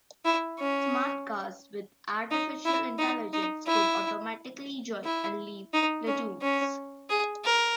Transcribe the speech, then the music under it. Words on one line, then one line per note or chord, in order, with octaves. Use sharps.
Smart cars with artificial intelligence could automatically join and leave platoons.
E4
C#4
D#4
E4
D#4
D#4
E4
E4
D#4
C#4
C#4
G#4
A#4